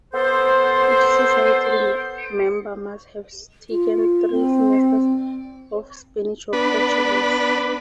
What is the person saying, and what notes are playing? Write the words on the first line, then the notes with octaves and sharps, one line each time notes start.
Each society member must have taken three semesters of Spanish or Portuguese.
B3 A4 C5
F4
C4
B3 D4 B4